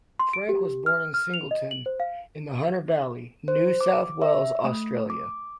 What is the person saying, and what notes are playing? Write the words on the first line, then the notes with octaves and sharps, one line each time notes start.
Frank was born in Singleton, in the Hunter Valley, New South Wales, Australia.
C6
D7
G4
F6
F6
F7
D#5
F#7
C5
F5
C5
D6
E5
A3
D6